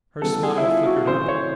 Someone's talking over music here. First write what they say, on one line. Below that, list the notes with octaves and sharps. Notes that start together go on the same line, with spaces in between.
Her smile flickered up.
C#3 E3 G3 B3 A4
G#4
E4
F4
F#4
C#3 E3 A3 C4 C5
C#5